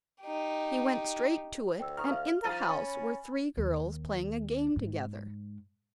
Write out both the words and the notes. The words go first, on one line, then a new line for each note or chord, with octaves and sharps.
He went straight to it and in the house were three girls playing a game together.
D#4 G4
D2 G5 E6
A#5 C#6 D#6 F6
E5 F5
F3 F5 A#5 F6 A6 D#7
C#4 G#5 B5
D#2
G#2